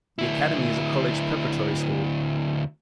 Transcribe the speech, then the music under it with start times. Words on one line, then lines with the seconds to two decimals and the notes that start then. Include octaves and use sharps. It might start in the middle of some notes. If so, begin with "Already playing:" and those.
The academy is a college preparatory school.
0.19 D2 E4